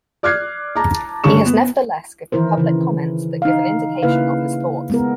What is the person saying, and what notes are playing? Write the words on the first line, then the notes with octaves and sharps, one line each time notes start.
He has nevertheless given public comments that give an indication of his thoughts.
D5 D6 F6 F#6 G#6 C7
A5 A#5 D6
G2 D3 C#4 C#6 E7
B3
D#3 E3 E4 A#4 C5
C#3 E3
D#4 F5
C#3 A#3 E4 B4 F5
G#3 B3 A#4